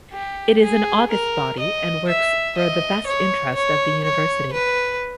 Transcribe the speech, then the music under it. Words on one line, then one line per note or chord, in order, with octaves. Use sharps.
It is an august body and works for the best interest of the University.
G4
G#4
A#4
D#5
E5
D#5
C#5
C#5
C#5
B4